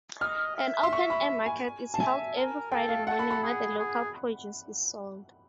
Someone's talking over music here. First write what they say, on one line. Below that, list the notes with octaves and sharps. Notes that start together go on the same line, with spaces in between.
An open-air market is held every Friday morning where the local produce is sold.
D#5 F6
E5
C6
C#6
B5
G#5
A5
E5 G#5
A#4
A4 G5
F5
A4 F#5
B5
B5
G#4
G#4